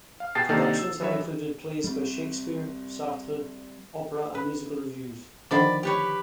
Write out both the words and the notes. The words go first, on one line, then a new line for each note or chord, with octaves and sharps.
Productions have included plays by Shakespeare, Sartre, opera and musical reviews.
F5 F6
B2 G#4 G5 A5 A6 C7
C3 D#3 A#3 D4 D#4 A4
E6
E3 F#3 C#5 E5
G3 C4
B4
D3 D#3 F3 D5 B5
G4 B4 C#5